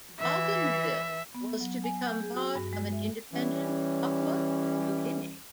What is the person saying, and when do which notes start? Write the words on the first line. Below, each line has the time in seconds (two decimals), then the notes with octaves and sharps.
Bougainville was to become part of an independent Papua New Guinea.
0.20 E3 E5
1.34 B3
1.60 F#3
1.84 G#5
2.06 G6
2.21 G#4
2.34 F#4
2.55 G2
2.73 G#3
2.92 E5
3.33 E3 G3 C#4